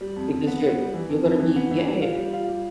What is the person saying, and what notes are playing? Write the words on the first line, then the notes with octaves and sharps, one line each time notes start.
because you're you're gonna be yeah.
G3
F2
F2
B3
B3
G3
E3
F2
F2
E3
B3
E3
G3
F4
G3
F4
G3